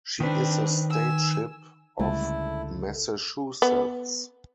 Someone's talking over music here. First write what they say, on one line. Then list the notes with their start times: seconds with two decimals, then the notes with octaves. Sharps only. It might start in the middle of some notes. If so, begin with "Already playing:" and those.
She is the State Ship of Massachusetts.
0.20 D#3 C4 D4 B4
0.90 G#5 E6
1.99 C#2 D3 G3 A3 E4
3.62 B3